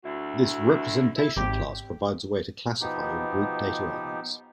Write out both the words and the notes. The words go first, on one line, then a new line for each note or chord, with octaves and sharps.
This "representation class" provides a way to classify or group data elements.
D2 E4 F#4
E4
G#1 G4
B2 F3 B3 D#4 G4